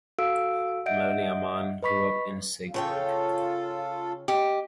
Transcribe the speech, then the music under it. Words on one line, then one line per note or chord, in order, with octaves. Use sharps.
Melanie Amann grew up in Siegburg.
F#4 A4 F5 E6 D7
D#5 E5 F#5 G6 D7
B4 D#5 B5 C#6 B6
C#3 F4 A4 C#5 G5
G4 D#5